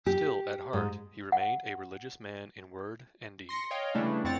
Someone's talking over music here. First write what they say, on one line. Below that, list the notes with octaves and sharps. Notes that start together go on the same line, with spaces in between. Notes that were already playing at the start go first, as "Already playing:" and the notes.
Still, at heart, he remained a religious man in word and deed.
G4
G#2
F#5
C6 A#6 C#7
C#5 D#5 F5 G5
C#3 E3 G3 A3 D4
F2 C4 C#5 F#5 A6